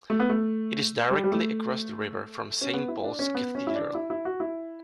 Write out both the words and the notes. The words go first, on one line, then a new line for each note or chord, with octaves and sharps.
It is directly across the river from Saint Paul's Cathedral.
A3
B3
A3
G3
G3
A3
C#4
B3
E4
D4
C#4
B3
C#4
E4
D4
E4
E4
F#4
E4